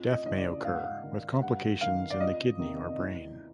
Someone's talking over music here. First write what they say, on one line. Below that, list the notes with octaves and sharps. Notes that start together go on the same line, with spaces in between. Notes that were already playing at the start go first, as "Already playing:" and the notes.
Death may occur, with complications in the kidney or brain.
Already playing: F2
D#5
C#3 E3 D#5
D5
G#2 F5
F#5
F5
D#3
G2 F#5
D#3 F5
D5
F2 D#5
C3 D#3
E2